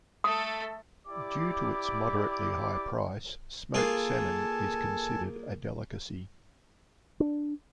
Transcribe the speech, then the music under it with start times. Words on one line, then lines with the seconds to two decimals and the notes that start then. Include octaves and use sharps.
Due to its moderately high price, smoked salmon is considered a delicacy.
0.24 A3 A4 D#6
1.07 E4 G4 D5 D6
3.74 A#3 F4 G#4 A4 G#5 A5
7.20 D4